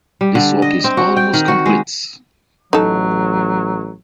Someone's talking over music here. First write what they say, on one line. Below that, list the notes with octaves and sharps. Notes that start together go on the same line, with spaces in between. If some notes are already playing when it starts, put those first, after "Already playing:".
This work is almost complete.
G3
D3
D#5
C4
F#4
G5
D#3
F#4
G#3
A1 F#3 D#4 A4